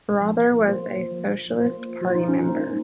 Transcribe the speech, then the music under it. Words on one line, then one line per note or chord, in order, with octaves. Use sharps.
Reuther was a Socialist Party member.
F3
A#3 F4 C5
F3
A#3 F4 C5
F3 F4
D#4
C#4
D#4
A#3 F4 C5